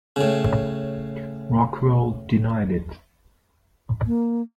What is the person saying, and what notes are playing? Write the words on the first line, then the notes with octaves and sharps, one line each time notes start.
Rockwell denied it.
A2 C#3
A#3